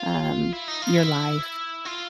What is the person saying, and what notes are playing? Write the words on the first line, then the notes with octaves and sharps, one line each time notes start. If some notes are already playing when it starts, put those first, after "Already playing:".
um, your life.
Already playing: F4
E4
D#4
F4
E4
F4